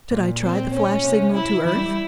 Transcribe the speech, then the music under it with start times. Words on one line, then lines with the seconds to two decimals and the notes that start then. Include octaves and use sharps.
Should I try the flash signal to Earth?
0.11 A#2
0.43 C4
0.73 C#4
1.04 C3
1.35 E4
1.65 E3 E4
1.76 G3
1.86 G3